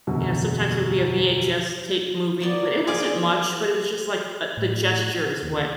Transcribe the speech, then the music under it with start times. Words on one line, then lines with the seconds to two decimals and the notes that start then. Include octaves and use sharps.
you know, sometimes it would be a VHS tape movie, but it wasn't much, but it was just, like, uh, the gestures what
0.07 E1 F#2 B2 D3 F#3 G#3
2.40 A#3 B3 D5
2.87 G#4 C5 D5
4.57 A2
5.43 D#2